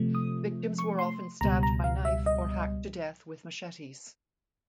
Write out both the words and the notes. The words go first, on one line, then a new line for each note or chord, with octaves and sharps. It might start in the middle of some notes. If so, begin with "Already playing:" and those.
Victims were often stabbed by knife or hacked to death with machetes.
Already playing: C3 F3 A3
D#6
C#6
C6
C#2 B2 G3 A#5
A#5
F5
E5
D#5